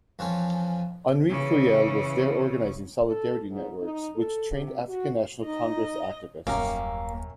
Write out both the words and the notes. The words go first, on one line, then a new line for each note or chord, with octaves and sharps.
Henri Curiel was there organizing "solidarity networks," which trained African National Congress activists.
F2 E3 F3 C#4
C#3 E3
A4
G#2
D#4
A4
C3
F#4
D#4 D#5
D#1 F#2 A#3 C#4 G4 A#4